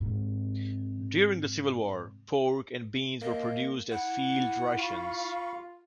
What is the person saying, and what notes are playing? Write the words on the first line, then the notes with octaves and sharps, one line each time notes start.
During the Civil War, pork and beans were produced as field rations.
G#2 C3
A#3 D#5
E4 F#5
F4 F5 B5 C#6